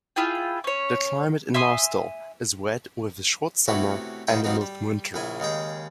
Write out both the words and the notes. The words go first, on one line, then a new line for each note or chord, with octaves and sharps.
The climate in Naustdal is wet with a short summer and a mild winter.
E4 F4 G#4 G5
C#4 C#5
E5 G#5 C6 D#6
C3 A3 B3 C#4 E4 F#4
C#2 G#2 C#3 D#4 E4 G5
G2 B2 F3 B3 C4 D#4
G3
A#1 C#3 E4 G#5
D#2 C#3 G#3 G5